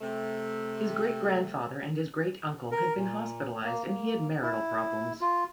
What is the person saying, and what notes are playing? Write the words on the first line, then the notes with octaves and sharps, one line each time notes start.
His great-grandfather and his great-uncle had been hospitalized, and he had marital problems.
C3 A3
A#4
A#2
A#3
A#3
E4
F4